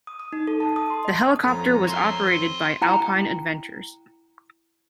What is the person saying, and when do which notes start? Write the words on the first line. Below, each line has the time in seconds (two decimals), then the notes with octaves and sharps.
The helicopter was operated by Alpine Adventures.
0.07 D#6
0.20 D#6
0.33 D#4
0.47 A4
0.60 A5
0.76 D#6
0.90 C6
1.05 D#5
1.43 F2 F3 C#4 F4 A#4 A#5 B5
1.87 C4 F#4 C6
2.82 E4 G5 A#5